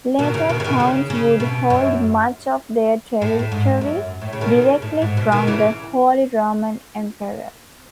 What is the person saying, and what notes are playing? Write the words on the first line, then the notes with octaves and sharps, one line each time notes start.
Later counts would hold much of their territory directly from the Holy Roman Emperor.
B2 D#3
C#3
B2 D#3
C#3
B2 D#3
C#3
C#3
B2
F#2
A2
A2
G#2
F#2
A2
C#3
B2 D#3
C#3
A2
G#2
B2
B2 D#3
C#3 E3